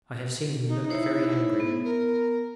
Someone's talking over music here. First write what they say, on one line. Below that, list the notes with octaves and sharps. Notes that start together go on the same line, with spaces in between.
I have seen him look very angry.
D#4
D#4 E4 C5 C#5
B3
A#4